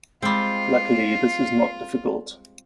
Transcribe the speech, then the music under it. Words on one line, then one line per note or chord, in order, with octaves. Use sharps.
Luckily, this is not difficult.
G3 G#3 C4 F4 C7